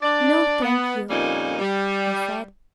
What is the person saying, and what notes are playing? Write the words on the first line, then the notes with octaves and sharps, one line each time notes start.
"No, thank you," I said.
D4 D5
B3
F2 A#2 G3 A#3 C#4 D#4
G3